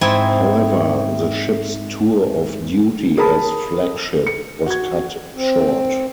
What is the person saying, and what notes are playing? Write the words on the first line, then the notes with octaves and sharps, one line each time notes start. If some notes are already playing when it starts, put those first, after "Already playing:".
However, the ship's tour of duty as flagship was cut short.
G#2 C4 E4 G#5
G#4 A#4 A5 B5 D#6
C#7
F#4 G#6
C4